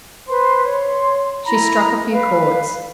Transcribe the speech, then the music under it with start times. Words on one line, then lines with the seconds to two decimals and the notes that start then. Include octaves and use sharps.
She struck a few chords.
0.28 B4 C5 C6
0.64 C#5 C6
1.46 E4 A#5 B5
2.11 B4 F5